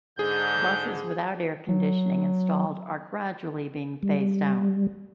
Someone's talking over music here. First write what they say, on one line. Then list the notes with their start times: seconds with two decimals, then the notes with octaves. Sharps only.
Buses without air conditioning installed are gradually being phased out.
0.19 G#2 D3 G#4 G6
1.69 F#3
4.03 G3